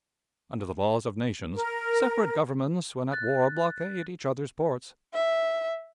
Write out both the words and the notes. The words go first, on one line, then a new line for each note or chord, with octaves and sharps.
Under the laws of nations, separate governments when at war blockade each other's ports.
A#4
F#6 A6
E5